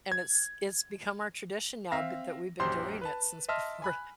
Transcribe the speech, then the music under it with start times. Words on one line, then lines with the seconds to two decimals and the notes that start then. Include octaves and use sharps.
and it's it's become our tradition now th that we've been doing it since before
0.12 G#6
1.92 C4 E5 F5 A#6
2.60 A#1 F#2 G4 C5 C6
3.01 B4 A5
3.49 D#5 E5 A5 C6 F6
3.82 G#5 B5 F#6